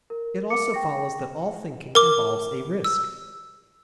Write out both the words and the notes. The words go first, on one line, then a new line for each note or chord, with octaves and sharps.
It also follows that all thinking involves a risk.
A#4
A#4 D6 C#7
G5 C#6 A#6
A#4 D6
E6